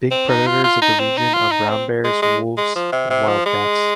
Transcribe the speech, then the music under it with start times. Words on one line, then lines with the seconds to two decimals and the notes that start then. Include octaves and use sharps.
Big predators of the region are brown bears, wolves and wildcats.
0.11 C4
0.29 D#4
0.47 F4
0.64 F4
0.82 D#4
1.00 C4
1.17 D#4
1.34 F4
1.52 D#4
1.70 C4
2.04 G#3
2.22 G#3
2.58 G#3
2.76 F3
2.92 C3
3.10 C3
3.28 F3
3.46 G#3